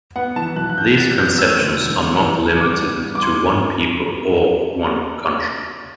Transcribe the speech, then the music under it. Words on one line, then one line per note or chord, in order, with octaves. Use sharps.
These conceptions are not limited to one people or one country.
B3 F#5
E3 A5
B1 F#6
F#6
A1 G6
G3 A6
A1 G6
A3 E6
D3
E1
A1
E3
A1
G2 D6
B3
G2
D6
C6